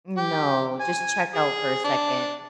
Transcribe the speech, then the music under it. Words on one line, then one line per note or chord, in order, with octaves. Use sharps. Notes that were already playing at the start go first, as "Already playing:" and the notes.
Mm, no just check out for a second.
G4
G#5
G#4
D4